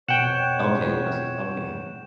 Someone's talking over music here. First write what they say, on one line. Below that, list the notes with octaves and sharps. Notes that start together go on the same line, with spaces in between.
Okay, then that's okay.
F2 B2 C#5 F#5 G5 E7